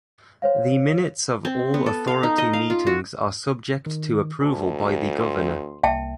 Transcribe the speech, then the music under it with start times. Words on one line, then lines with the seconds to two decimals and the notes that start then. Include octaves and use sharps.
The minutes of all Authority meetings are subject to approval by the Governor.
0.42 C5 C#5 F5
1.45 C4
1.74 B3
1.86 A4
2.07 F5
2.23 D#4
2.38 D#5
2.53 F5
2.70 F4
2.87 F#4
3.86 D#3
4.41 D2 G#5 A5
5.21 C6
5.83 C2 A#3 E5 G5 A5